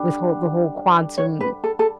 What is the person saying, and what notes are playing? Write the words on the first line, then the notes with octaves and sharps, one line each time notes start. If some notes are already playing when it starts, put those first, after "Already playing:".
with whole The whole quantum
Already playing: D3 G3 D4
C#5
B4
A4
A4